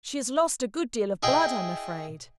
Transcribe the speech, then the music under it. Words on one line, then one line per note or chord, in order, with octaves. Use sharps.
She has lost a good deal of blood, I'm afraid.'
E4 G#4 D#5 G5